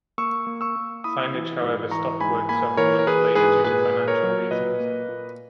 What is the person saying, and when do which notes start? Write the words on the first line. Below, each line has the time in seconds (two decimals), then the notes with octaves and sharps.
Cinege however stopped work several months later due to financial reasons.
0.18 A#3 C#6 E6
0.47 A#3
0.61 C#6 E6
0.76 A#3
1.04 E4 B5 D#6
1.34 E3
1.62 G#2
1.91 E3 A#5 C#6
2.21 G#2 G#5 B5
2.49 A#3 G#5 B5
2.77 E3 A#4 C#5
2.99 A#4
3.07 E3 G#4 B4
3.35 G#2 G#4 B4
3.64 A#2 G#4 B4
3.94 A#2
4.08 A#4 C#5
4.23 F#3
4.51 A#2 B4 D#5
4.80 A#3
5.09 A#2